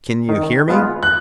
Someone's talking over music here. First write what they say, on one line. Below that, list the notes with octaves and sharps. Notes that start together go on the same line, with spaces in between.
Can you hear me?
D#3
G#3 B3 F4
F#6